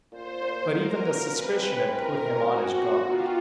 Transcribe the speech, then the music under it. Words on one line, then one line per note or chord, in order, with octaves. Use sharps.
But even the suspicion had put him on his guard.
A#2 C5
A#2
A#2
A#2
B3 A#4
F#3
B3
A#2
G#3 B4
C3
C4
C4
E3 A#4
C3
C3
G#3
F#4 G4
G4
B3
D#4
B3 F4
G4